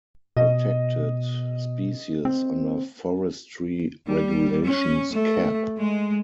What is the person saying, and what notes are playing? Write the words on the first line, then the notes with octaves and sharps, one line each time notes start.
Protected Species under Forestry Regulations Cap.
B2 D#5
C4
G3
C#4
A3
G#3